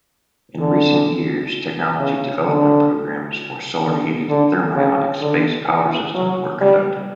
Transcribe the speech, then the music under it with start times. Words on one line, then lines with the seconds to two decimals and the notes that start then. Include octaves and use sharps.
In recent years technology development programs for solar-heated thermionic space power systems were conducted.
0.59 D3
1.99 C#3
2.45 D3
3.83 D3
4.29 D3
4.76 C#3
5.21 D3
5.68 E3
6.15 F#3
6.61 G3